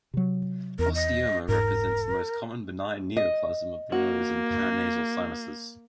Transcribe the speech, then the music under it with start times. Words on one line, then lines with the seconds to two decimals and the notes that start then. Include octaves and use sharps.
Osteoma represents the most common benign neoplasm of the nose and paranasal sinuses.
0.14 C3 F#3
0.79 E2 A#4
0.95 D#5
1.48 E1 G#2 A#4
3.17 D#5
3.92 A#3 F#4